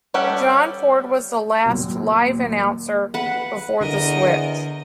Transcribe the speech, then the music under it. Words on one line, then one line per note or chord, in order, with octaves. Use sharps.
John Ford was the last live announcer before the switch.
G3 C#4 A4 F#5 G5
D#2 A#2 F#3
B4 F#5
E2 D3 A#4 D#5